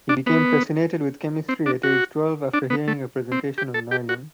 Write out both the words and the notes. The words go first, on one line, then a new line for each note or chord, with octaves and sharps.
He became fascinated with chemistry at age twelve, after hearing a presentation on nylon.
D4
B3
C4
D4
F#4
D4
B3
A3
C4
G4
A4
G4
F#4